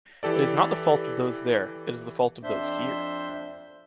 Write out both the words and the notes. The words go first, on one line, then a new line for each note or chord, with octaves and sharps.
It is not the fault of those there, it is the fault of those here.
E3 G4 A4 D5
F2 D4 C5 E5 G6